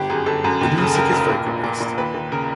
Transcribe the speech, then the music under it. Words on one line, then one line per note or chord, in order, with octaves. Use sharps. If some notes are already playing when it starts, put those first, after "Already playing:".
The music is vocal based.
Already playing: G1 G4
F#2 G#4
G1 A4
F#2
D#2
C#3
A4
C#3 A#4
F1
A#2
A#1
A#2
A#2
D#2 B4
D#2
C#3 A#4